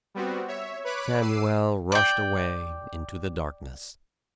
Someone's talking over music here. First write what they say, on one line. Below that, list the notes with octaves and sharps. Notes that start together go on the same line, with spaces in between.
Samuel rushed away into the darkness.
G3 B3 C4 F#4
C#5 E5
B4 C#5 B5 D6 F#6
D6 E6 C7 D#7
D5 G5